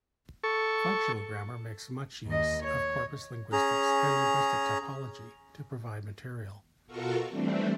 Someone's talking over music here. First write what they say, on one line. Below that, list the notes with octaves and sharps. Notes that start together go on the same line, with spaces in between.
Functional grammar makes much use of corpus linguistics and linguistic typology to provide material.
A4 C#6
D#2 D#5
C#5
C#4 G#4 A#5
B2 F4 F#4 A4 A#4 C#6
E3 G3 A3 C4 D4